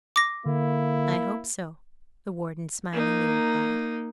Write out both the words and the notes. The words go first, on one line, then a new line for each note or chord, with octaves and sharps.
"I hope so!" the Warden smilingly replied.
D6 A#6
D3 A#3 E4
A#3 D#4